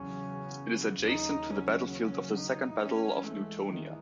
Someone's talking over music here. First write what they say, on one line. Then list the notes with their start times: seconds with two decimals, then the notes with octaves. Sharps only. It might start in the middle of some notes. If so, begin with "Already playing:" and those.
It is adjacent to the battlefield of the Second Battle of Newtonia.
Already playing: E2 C#3 F#3 C#4
1.06 D#2 C#3 F#3 D#4
1.50 C#4
1.94 C#4
2.37 D#4
2.81 G#1 G#2 E3 G#3 C#4
3.25 A3
3.68 D#3